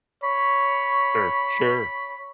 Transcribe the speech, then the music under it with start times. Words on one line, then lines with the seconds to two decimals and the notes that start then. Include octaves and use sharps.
Sir sure.
0.24 C#5 B5